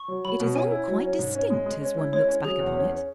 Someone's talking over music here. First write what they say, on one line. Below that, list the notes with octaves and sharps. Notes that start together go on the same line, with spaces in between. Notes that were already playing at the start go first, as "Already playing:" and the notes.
It is all quite distinct as one looks back upon it.
Already playing: C#6
F#3
F#3 B5
B2
C#4 G#5
E4
F#3
C#4
G#2
C#4
G#3
G#3
C#4
E4
G#3 C#5
C#4
F#3 G#4
E2
C#4
C#4